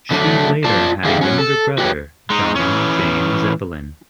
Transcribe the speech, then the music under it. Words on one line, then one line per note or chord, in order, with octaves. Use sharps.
She later had a younger brother, John James Evelyn.
D3 F#3 A3 D4
F4 D5 F5 A5
D3 D#3 G4 G#4 E5 F5
C#4 F#4 C#5
A4
F#4 G4 B4 C#5
G#3 D#4
E3 C#4